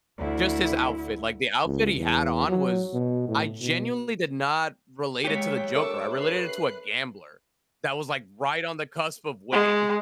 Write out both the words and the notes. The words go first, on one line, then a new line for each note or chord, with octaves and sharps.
Just his outfit. Like, the outfit he had on was I genuinely did not relate it to the Joker. I related it to a gambler that was, like, right on the cusp of winning.
D2 E4
C#2
E2
F#3
B2
A2
B2
G#3 A#3 G4 C#5 G5 B6
D4 A4 A#4 E5 C#6 D6 E6
B4 F#6 C7
G#3